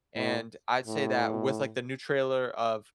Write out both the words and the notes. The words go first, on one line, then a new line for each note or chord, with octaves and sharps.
and I'd say that with, like, the new trailer of
A2
A2